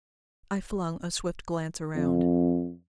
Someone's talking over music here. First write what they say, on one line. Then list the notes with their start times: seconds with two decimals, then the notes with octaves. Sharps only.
I flung a swift glance around.
1.96 F2